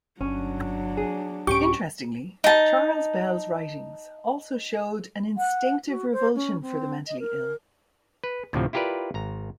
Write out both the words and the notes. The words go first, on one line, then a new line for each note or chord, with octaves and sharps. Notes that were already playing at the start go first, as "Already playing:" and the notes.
Interestingly, Charles Bell's writings also showed an instinctive revulsion for the mentally ill.
G1 F#3 C#4 D4
G#4
C2 G#2 C#4 G4 C#6 D7
D#4 A5
F#5
F#4
C5
C#4
C4
D#5
A#4
B4
D2 A2 C3 F3
E4 F4 G4 A#4 B4 D5
G#1 A#5